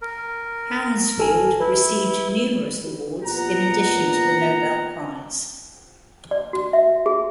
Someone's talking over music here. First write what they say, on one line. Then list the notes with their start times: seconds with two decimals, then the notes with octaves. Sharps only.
Hounsfield received numerous awards in addition to the Nobel Prize.
0.02 A#4
1.18 G#1 A4 G#5
1.60 E4 B4
3.22 A#2 B3 F#5 A#5
6.31 D5
6.53 F#4
6.73 E5
7.06 G#4